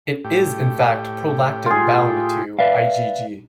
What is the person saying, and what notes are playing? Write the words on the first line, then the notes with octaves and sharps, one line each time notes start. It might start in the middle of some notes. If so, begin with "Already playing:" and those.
It is in fact prolactin bound to IgG.
A2 G4
F4 G#4
B4 D5 E5 F5